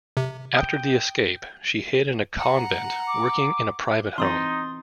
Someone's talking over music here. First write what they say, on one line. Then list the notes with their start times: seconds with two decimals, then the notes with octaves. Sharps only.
After the escape she hid in a convent, working in a private home.
0.17 C3
0.57 G5 D#6
2.39 F#5 A#5
3.07 D6
4.18 E3 C4 D#4 C6 D#6 A6